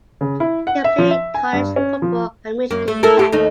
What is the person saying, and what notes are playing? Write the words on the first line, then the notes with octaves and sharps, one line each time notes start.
He played college football at Michigan Tech.
C#3
E4
F#5
E5
F3
E5
G#5
G2
C#4
F3
F#2 A#3
A3
E4 A4 A#4
G4
D#2 A3 D#4